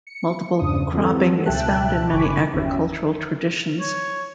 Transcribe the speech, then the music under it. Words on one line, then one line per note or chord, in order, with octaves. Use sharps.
Multiple cropping is found in many agricultural traditions.
C#7
E2 G2 C#3 D4 D#6
E3 G3 C4 F#4 A4
C#2 B2 E5 G5 A5 F#6
G1 C#3 G#5 B5 C#6 D6
G1 E2 F#3 C#4 G4 E5
C#5